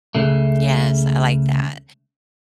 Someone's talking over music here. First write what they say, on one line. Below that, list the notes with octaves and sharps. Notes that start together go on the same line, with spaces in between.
Yes, I like that.
C#2 C#3 A3